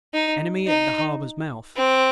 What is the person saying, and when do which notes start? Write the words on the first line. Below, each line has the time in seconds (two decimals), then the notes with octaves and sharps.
Enemy at the harbour's mouth.
0.14 D#4
0.67 D#4
1.77 C4